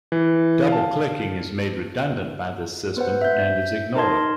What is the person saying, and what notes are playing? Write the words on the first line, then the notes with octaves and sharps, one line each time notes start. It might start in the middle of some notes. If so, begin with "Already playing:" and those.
Double-clicking is made redundant by this system and is ignored.
E3
F5 A5
B3 B4 C5 F#5
E5 G6
D#4 A#4 D#5 A5 C6 G#6